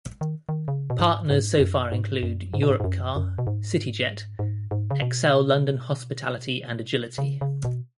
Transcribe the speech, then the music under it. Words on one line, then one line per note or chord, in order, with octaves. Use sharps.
Partners so far include Europcar, CityJet, ExCeL London Hospitality and Agility.
D#3
D#3
C#3
B2
G#2
G#2
F#2
G#2
F#2
G#2
B2
G#2
G#2
F#2
F#2
B2
G#2
G#2
G#2
C#3
B2
C#3
C#3
B2